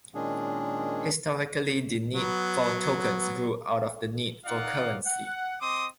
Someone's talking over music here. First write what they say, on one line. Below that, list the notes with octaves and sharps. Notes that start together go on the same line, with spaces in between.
Historically the need for tokens grew out of the need for currency.
A#2 D#3 G#3 C#4 D4 G#4
F#3 B3
D#4 F4 D5 F5 F#5
F#5
C4 D#5 C6 D6 D#6